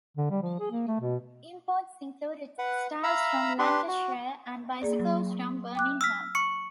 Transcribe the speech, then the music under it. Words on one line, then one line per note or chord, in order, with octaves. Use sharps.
Imports included textiles from Lancashire and bicycles from Birmingham.
D3
G3
F3
G#4
A#3
A3
B2
B4 F#5
E5 F5 A#5 B5 E6
D4 G4 B4 C6
F#4
A#3 G#4 D5
F#3
G5 D6 F#6
E6 F6 B6
C#6 C#7